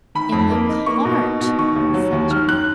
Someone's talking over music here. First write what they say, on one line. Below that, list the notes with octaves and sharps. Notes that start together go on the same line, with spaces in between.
"In the cart," said John.
D#3 B5
F2
A#3
D#4
A#3 C#6
B2
D#4
B2
D#3 C#6
D#2
F#3
D#2
D#3 F6
F#2 F#6